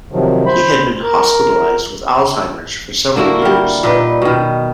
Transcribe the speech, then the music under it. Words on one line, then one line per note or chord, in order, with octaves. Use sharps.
He had been hospitalized with Alzheimer's for several years.
C3 D#3 F3 F#3
C5 B5
A#4
D3 A#3 E4 F#4
G3 A#4
A#2 D#4 B4
B2 D#3